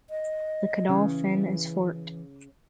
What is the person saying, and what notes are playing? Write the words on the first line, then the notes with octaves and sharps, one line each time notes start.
The caudal fin is forked.
D#5
C#3 E3